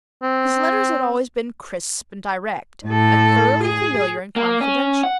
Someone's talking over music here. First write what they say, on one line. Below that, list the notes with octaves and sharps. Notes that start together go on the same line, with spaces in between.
His letters had always been crisp and direct, and thoroughly familiar and confidential.
C4
A2 A4
G#4
A#3
C#4
F#5